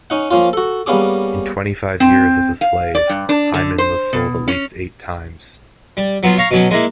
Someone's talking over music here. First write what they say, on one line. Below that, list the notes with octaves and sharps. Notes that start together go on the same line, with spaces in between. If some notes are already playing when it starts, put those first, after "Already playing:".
In twenty-five years as a slave, Hyman was sold at least eight times.
C#4 D#4 F#5
F3 A#3 C#4 F4
F#4 A4
G3 A#3 B3 C#4 G#4 D6
C4
F5
D5
G2
D4
D3
C5
B2
C#4
G3
F#3 B3 F4
C#5 F5 A#5
B2 F#3 C#4
G#3 A#3 E4